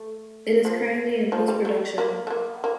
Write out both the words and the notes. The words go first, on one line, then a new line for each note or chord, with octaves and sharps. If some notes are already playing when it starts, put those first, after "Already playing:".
It is currently in post-production.
Already playing: A3
F3
F3
G3
A3
A#3
A3
A#3
A#3